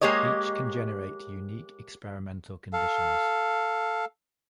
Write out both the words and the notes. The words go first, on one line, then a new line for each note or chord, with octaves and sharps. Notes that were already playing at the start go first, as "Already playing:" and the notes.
Each can generate unique experimental conditions.
G#3 A#3 G4 C#5 D#5
A4 F5